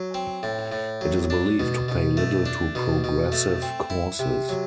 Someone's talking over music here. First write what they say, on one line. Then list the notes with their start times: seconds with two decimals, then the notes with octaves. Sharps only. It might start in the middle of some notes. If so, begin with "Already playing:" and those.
It is believed to pay little to progressive causes.
Already playing: F#3
0.14 C4
0.43 A2
0.72 A2
1.01 F#3
1.30 D4
1.59 B2
1.88 B2
2.17 A3
2.46 D4
2.75 B2
3.04 B2
3.32 A3
3.62 C4
3.90 E4
4.19 C3
4.49 F#3